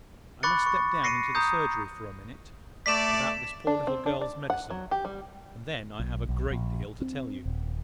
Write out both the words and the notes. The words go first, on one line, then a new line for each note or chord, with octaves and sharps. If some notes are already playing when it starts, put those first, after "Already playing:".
"I must step down into the surgery for a minute, about this poor little girl's medicine; and then I have a great deal to tell you."
B5 C#6 D6 F#6 A6 C#7
C#6
A#6 C7 C#7 D#7
A#5 D#6 G6
A3 D5 B6 E7
D4
C4
D4
D5
F#5
F#3
G4
G3
B1
B1
A#1
C4
D#1